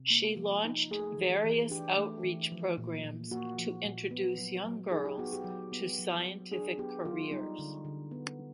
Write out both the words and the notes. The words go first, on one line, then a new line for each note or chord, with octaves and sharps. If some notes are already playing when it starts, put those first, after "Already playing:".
She launched various outreach programs to introduce young girls to scientific careers.
Already playing: C3
A#3
F3
D#4
A3 G#4
E3
E3
D4 G4
A3
E3
F3
A#2
A#2
A#3 F#4
F3
A#2
B3
F#3
F#3
D#4 G#4
G4
B3 F#4
G4
F#3
B3
F#3
F#3
D4 G#4
B3 G4
F#3 F4
G3 D#4
D3
D3
B3